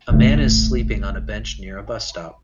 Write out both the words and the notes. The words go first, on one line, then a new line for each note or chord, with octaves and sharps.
A man is sleeping on a bench near a bus stop.
D1 A1 C#3 A3